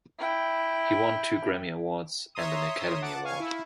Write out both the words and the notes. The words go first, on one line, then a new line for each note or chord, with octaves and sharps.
He won two Grammy Awards and an Academy Award.
E4 G5
C#5 E5 A#5 C6 D#6
F#5 A5 D6
F5 G#5 C#6
E4